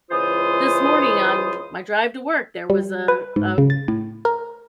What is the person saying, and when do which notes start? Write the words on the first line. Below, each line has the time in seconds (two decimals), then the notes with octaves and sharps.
this morning on my drive to work, there was a a
0.10 C#2 E3 F4 C5 D#6
2.70 G3
3.08 B4
3.36 G#2
3.58 C#3
3.70 A6
3.88 A2
4.25 A#4